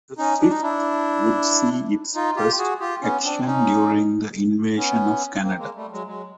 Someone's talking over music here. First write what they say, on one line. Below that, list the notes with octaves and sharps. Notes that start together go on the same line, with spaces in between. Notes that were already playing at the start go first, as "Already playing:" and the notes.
The Fifth would see its first action during the Invasion of Canada.
C#4 D#4
D4
D#4
D4 E4
D#4 F4
F4 G4
F#4 G#4
F4 G4
B3 C#4
C4 D4
C#4 D#4
B3 C#4
A#3 C4
G#3 A#3
G3 A3
F#3 G#3
F#3 G#3